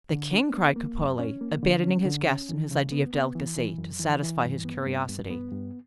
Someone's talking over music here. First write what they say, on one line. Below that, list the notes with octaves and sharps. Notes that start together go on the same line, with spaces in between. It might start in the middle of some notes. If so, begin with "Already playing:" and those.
"The king!" cried Cropole, abandoning his guest and his ideas of delicacy, to satisfy his curiosity.
D3
D4
B3
A#3
F#2
C#4
A#3
D3
C#4
D3
C#4
E3
C#3
B3
B3
E3
E3
F#2
E3
E3
G2
B3
G2
G2
B3
G2